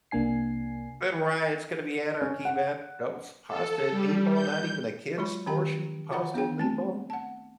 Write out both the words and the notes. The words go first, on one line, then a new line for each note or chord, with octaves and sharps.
The riot's gonna be anarchy, man, "Those pasta and meatball not even a kid's portion of pasta and meatball?"
C2 C3 A#3 D4 G#5 C7
C#4
F#5
A4
G3
G6
F#3 G#3 F4 F#4 B5
D#3 C#4 G4 G5 A#5
F4 F#4 C#5 F#5 A#5 B5
B3 D4 G#4 G5
A3 C4 A5
F#5 A5